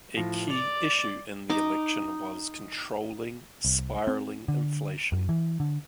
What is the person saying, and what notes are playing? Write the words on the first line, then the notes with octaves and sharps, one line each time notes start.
A key issue in the election was controlling spiralling inflation.
A2 F3 A#6
D5 F7
D#4 D6
C2
C4
D3
F#2
E3
D3